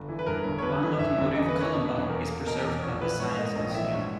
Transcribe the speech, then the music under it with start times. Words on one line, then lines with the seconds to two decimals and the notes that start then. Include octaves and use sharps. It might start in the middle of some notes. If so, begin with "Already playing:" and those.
One locomotive, "Columbine", is preserved at the Science Museum.
Already playing: G1
0.08 E3
0.19 B4
0.26 G2 A#4
0.45 G1
0.59 C#5
0.62 G1 B4
0.82 E3
0.99 G2 E5
1.18 G1
1.36 E2 D#5
1.48 B4
1.54 A#3
1.61 C#5
1.73 B2
1.85 B4
1.92 E2
2.09 E2 A#4
2.28 A#3
2.46 B2 A#4
2.64 E2
2.83 A#1 C#5
3.01 E3 B4
3.19 G#2 C#5
3.38 A#3 D#5
3.56 A#1 D#5
3.70 G5
3.74 E3 E5
3.92 G#2 C#5